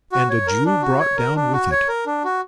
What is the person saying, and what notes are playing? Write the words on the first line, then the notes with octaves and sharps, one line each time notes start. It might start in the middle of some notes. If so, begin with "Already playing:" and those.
'And a Jew brought down with it!
F#4
C#5
A#4
D4
F#4
C#5
A#4
D4
F#4
C#5
A#4
D4
F#4